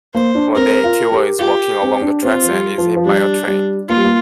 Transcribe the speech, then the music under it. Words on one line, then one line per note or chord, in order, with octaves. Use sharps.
One day Ikuo is walking along the tracks and is hit by a train.
A#3 C5
D4
C4 A#4
F4
G4
F4 G4
C4
D4
C4 F4
F3
G3
F3
F3
G3 D4
G3
A#3 F4
G3
A#3